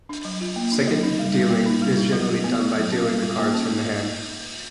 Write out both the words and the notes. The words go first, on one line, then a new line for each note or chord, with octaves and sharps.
Second dealing is generally done by dealing the cards from the hand.
D4
F#3
F4
A#3
D4
F#3
D#4
G3
G3
A#3
D#4
G3
E4
F#3
G4
B3
E4
F#3
C#4
G3
F4
A#3
C#4